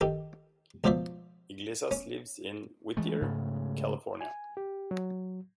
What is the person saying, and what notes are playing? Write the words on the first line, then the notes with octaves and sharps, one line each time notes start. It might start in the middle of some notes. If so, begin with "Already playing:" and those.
Iglesias lives in Whittier, California.
D#3 G4 A4
C#2 B2 F3 C5 D5 E5
C#4
E3 G#3 A3
G#2 C#3 A3
G#5
G4
F#3